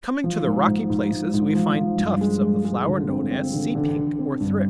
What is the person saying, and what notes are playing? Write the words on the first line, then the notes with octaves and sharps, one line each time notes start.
Coming to the rocky places, we find tufts of the flower known as Sea Pink or Thrift.
F3
G#2
G#2
G#2
G#2
G#2
F3
F3
G2
G#3
G#3
G#3
D3
C4
C4
D3
D3
D3
C4
G2